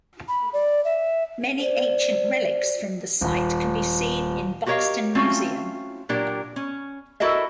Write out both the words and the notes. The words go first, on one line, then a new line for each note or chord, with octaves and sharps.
Many ancient relics from the site can be seen in Buxton Museum.
B5
D5
E5
C5 D5
D#1
F#4 G4 A#4 C#5 D#5 F5
A3 C4 C#4 F4 F#4
A#2 F#3 D4 G4 A#4
C#4
E4 F#4 A4 A#4 D#5 E5